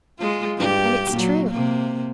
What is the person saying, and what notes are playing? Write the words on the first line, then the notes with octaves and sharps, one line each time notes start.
And it's true.
G#3 F4
G2 G4
A#2 F#3
C3 A#3